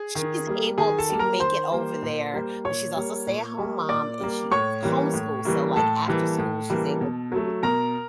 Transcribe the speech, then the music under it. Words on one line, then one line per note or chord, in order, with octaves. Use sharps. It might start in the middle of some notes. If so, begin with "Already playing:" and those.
She's able to make it over there, but she's also a stay-at-home mom and she s homeschools. So, like, after school, she's able to,
Already playing: G#4
D#3
G3 A#3
D#3 G#4 G#5
A4 A5
G3 A#3
A#4 A#5
D#3 C5 C6
G3 A#3
A#2
G3 A#3
A#2 C#5 C#6
G3 A#3
A#2
G3 A#3
A#2 D5 D6
G3 A#3
A2 C#5 C#6
E3 G3 A#3
A2
E3 G3 A#3
A2 A4 A5
E3 G3 A#3
A2
E3 G3 A#3
B2
F#3 A3
B2 A#4 A#5